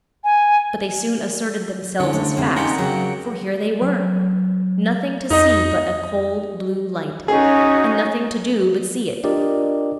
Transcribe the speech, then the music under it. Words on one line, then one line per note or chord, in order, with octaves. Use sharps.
But they soon asserted themselves as facts, for here they were!--nothing to see but a cold blue light, and nothing to do but see it.
G#5
C2 D3 C#4
A3
C3 A#3
C#4 D#4 F4 G4 A#4 F#5 G5
C#3 F#3
F#3
F2 D#4 D#5
C#4 D#4 F#4 G#4 D#5
D4 F4 G4 A#4 D5 D#5